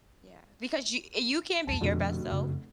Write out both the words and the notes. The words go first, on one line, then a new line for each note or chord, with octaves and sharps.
Yeah. Because you you can't be your best self,
B1 E2 G2 A5
F1 F2 B2 D3 F3
F#2 C#3